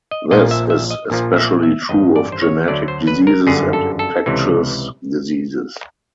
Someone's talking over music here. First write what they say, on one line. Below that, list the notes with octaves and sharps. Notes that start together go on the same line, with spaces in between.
This is especially true of genetic diseases and infectious diseases.
D#5
A#1 A#2 F3 D#5
E5
E5
D#5
A#1 A#2 F3
E5
E5
A1 G2 D#3 D#5
D5
C5
C#5
D2 D3 F#3 A3 D5
C5
B4
A#4
G1 F#2 D3 G#4
A4
A4
C#2 C3 E3